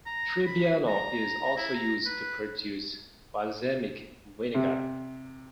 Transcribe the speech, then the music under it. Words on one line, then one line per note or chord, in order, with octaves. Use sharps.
Trebbiano is also used to produce balsamic vinegar.
A#5
B5
A#5
E4
A#5
B4
C3